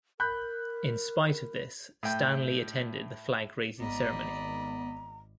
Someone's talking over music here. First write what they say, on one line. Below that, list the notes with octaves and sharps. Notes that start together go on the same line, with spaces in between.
In spite of this, Stanley attended the flag raising ceremony.
A#4 B5 F#6 G6
A2 G5
G#1 B3 D5 D#5 A#5 B5